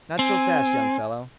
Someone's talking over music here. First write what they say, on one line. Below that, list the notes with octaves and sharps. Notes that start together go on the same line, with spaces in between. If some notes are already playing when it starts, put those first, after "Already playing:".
Not so fast, young fellow.
C4 G#5